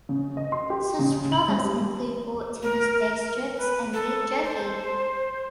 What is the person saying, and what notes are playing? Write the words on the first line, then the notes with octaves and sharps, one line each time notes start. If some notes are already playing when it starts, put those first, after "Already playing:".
Such products include both tender steak strips and beef jerky.
C#3
D#5
C6
G4
C#3
F#7
G#3
G3
A#4
B4
A4
C5